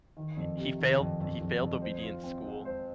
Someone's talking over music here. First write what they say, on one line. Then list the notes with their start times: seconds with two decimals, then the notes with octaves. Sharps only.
i he failed he failed obedience school,
0.17 D#3
0.36 F2
0.57 C3
0.79 D#3
0.99 F2
1.20 F2
1.40 F2
1.62 F2
1.82 C5
2.03 F4
2.24 C4
2.45 G#3
2.65 C5